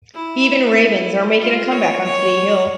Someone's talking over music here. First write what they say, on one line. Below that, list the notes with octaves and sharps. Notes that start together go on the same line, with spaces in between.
Even ravens are making a comeback on Clee Hill.
E4
F4
C#5
C#5